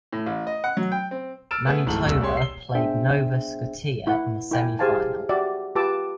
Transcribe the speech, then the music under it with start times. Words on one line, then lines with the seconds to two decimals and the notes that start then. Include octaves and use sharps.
Manitoba played Nova Scotia in the semifinal.
0.13 A2
0.26 A1
0.47 D#5
0.64 F#5
0.77 F#3
0.92 G5
1.11 C4
1.51 E6 F6 A6 D7 E7
1.65 A3 B3 G#4
1.86 D1 G#2 E3 A4 F#7
2.05 D#1 C2 E6
2.21 C2 G4 G#4 C#5 C6
2.37 C7 G7
2.75 B3 D4 G#4 C5 E5 G5
4.07 E4 F#5
4.51 E4 A#4 G5 G#5
4.79 G4 G#4 C5 F5 G#5 A5
5.29 F#4 G4 D5 E5
5.75 F4 G4 B4 A5 D6 E6